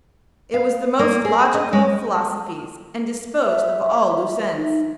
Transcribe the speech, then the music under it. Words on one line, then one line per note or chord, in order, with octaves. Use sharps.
It was the most logical of philosophies and disposed of all loose ends.
F5
A#3
G#4
D#5
G#3
E5
D#4